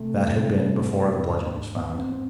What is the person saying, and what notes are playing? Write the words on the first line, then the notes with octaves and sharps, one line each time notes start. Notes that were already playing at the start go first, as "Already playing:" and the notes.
That had been before the bludgeon was found.
Already playing: C3 A3
C3
G#2
G#2
G#2 B3
C4
C4